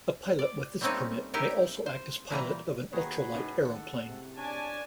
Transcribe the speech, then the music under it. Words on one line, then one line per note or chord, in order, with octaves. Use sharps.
A pilot with this permit may also act as pilot of an ultra-light aeroplane.
D5
G3 A3 A#3 C4 C#4 D#4
D#4 E4 G4 A#4
C5
A#2 E3 G3 A#5
D#2 D#3 F#4 G#4 A#4 B4
A2 C#3 D#4
D#3 A4 F#5
C3
C#4 D4 D5 G#5 A5